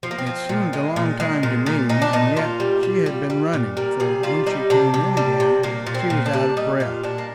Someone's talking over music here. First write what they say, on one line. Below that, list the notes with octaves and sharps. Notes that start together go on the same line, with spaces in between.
It seemed a long time to me, and yet she had been running, for when she came in again she was out of breath.
F3 C4
A#3
C4
F3
A#2
G#3
A#2
G#3
A#2
A#2
A#2 D#4
D4
A#2 D#4
A#2 F4
G3
G3
G3
G3
A#2
G3 A#4
C3 G#4
G3 F4
G3 D#4
C3 D4
C3
G3
C3
A#2 A#3
A#2
C4
A#2
D4
G3
G3 D#4
A#2 F4
A#2 D4
A#3